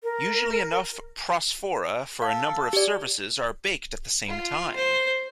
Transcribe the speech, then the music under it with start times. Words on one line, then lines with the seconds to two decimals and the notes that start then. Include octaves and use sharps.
Usually enough prosphora for a number of services are baked at the same time.
0.03 A#4
2.22 A4 F5
2.73 G4 D5
4.27 F4
4.76 C5